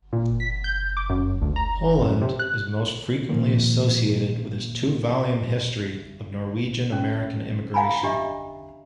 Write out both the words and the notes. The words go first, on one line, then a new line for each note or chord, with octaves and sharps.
Holand is most frequently associated with his two volume history of Norwegian-American immigration.
A#2
B6
G6
D6
F#2
D2
A#5
F#2
C3
F#6
A#2 D#3 F3 A#3
C#4
F5 F#5 G#5 A#5 B5
D4 G4 D#5 E5